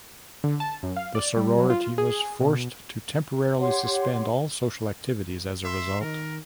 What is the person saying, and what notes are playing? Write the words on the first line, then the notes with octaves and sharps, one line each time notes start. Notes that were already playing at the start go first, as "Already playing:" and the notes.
The sorority was forced to temporarily suspend all social activities as a result.
D3
A5
F#2
F5
D5
G3
F#3
F4
G#4
B2
G4 C#5 F#5 C6
E5 C6
D#3 A#4